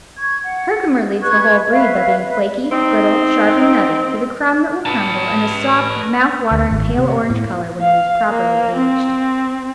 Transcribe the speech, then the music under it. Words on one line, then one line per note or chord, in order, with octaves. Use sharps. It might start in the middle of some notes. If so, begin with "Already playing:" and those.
Herkimer leads the whole breed by being flaky, brittle, sharp and nutty, with a crumb that will crumble, and a soft, mouth-watering pale orange color when it is properly aged.
C#6 G#6
F#5
B4 C#6 F#6 G#6
B4 E5 F5
B4 E5
C4 D#4
B4 A5
D2
G#1
C3
A2
F5
A#3
C4